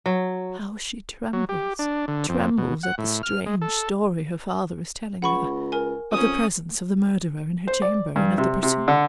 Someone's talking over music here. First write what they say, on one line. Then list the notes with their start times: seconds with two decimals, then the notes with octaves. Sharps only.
How she trembles!--Trembles at the strange story her father is telling her, of the presence of the murderer in her chamber, and of the pursuit.
0.06 F#3
1.33 F#3
1.49 G4
1.79 D4
2.08 D3
2.29 F2
2.58 B2
2.83 F#5
2.98 A2
3.23 F6
3.46 G#3
3.61 A4
5.22 C#2 F#5 B5 C#6
5.72 A#4 G#5
6.12 F2 C#4 D#6
7.67 C5
7.82 D5
8.16 G2
8.38 C3
8.63 C3
8.88 D3